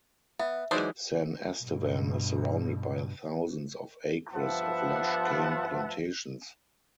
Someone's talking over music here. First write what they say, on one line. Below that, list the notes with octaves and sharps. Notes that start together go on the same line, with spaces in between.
San Estevan is surrounded by thousands of acres of lush cane plantations.
B3 E5
E3 F#3 G#3 D#4 C5 D5 D#6
G2 B2
G2 F3 B3 E5 F#5 A5